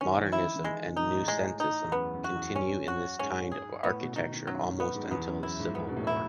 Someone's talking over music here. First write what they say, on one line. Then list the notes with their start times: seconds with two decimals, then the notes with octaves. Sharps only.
Modernism and noucentisme continue in this kind of architecture almost until the Civil War.
0.01 D#3 C#4
0.18 D#3
0.21 E3
0.32 E4
0.43 D#3
0.56 E3
0.64 D#3 G#3
0.86 C#3
0.97 D#4
1.07 A2
1.23 G#2
1.28 A2 G#3
1.60 D#4
1.84 E2
1.92 F#2 B3
2.13 F#2
2.24 F#4
2.35 E2
2.56 F#2 C#4
2.88 F#4
3.19 G#2 C#4
3.52 G#4
3.83 A2 B3
4.00 B2
4.16 D#3 D#4
4.32 D#3
4.47 F#2 F#3
4.80 B3
4.94 G#2
5.03 F#2
5.11 E2 B3
5.27 F#2
5.43 F#2 E4
5.59 G#2
5.75 G#2 B3
5.88 B2
5.96 A2
6.07 E4